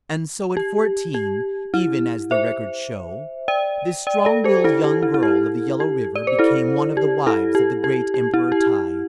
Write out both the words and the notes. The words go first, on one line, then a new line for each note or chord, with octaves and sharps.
And so at fourteen, even as the records show, this strong-willed young girl of the Yellow River became one of the wives of the great Emperor Tai.
G4
G4
E4
C5 E5
D5 G5
D5 G5
A4 D5
G4 C5
E4 A4
G4
E4
E4
G4
G4
D5
C5
E4 A4
G4
E4 A4
G4
G4
G4
E4
G4